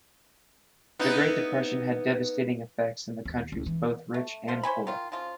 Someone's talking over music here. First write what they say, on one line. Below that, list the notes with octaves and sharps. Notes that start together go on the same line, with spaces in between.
The Great Depression had devastating effects in countries both rich and poor.
B3 D#4 E4
D#2
C#2
E3
A3
A4 C5 F5
C5 C#5 G#5 B5
D#3 F4
C#3 F3 F4